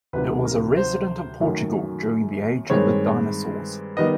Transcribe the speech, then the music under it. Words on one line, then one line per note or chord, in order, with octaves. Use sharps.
It was a resident of Portugal during the age of the dinosaurs.
D2 C3 D#3 F#3 B4
A#4
C5
F#2 D#3 F#3 A3
G2 D#3 G#3 C4 C#5
D#3 G3 B3 D#5